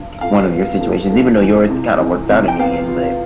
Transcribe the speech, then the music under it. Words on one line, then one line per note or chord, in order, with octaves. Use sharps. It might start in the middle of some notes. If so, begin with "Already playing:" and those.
one of your situations, even though yours kinda worked out in the end, but,
Already playing: G2
F2 F5
B3
F2
F2
E3
C3
E3
C3
G5
B3 F5
F4